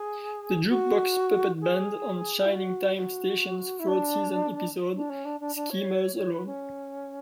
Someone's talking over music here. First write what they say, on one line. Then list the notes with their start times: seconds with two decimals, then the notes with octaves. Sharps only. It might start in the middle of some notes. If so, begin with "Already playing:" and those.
The Jukebox Puppet Band on Shining Time Station's third season episode "Schemer's Alone".
Already playing: G#4
0.69 F#4
1.61 G#4
2.45 E4
2.51 F#4
2.97 F#4
3.79 E4
3.88 D4
4.95 D4
5.09 C#4
5.25 D4
5.40 D4
5.55 D4
5.70 C#5
6.16 C#5
6.32 B4
6.46 C#4